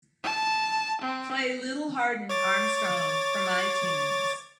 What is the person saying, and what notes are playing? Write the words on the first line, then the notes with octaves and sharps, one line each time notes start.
Play Lil Hardin Armstrong from Itunes.
A5
C4
C#5 D6 A6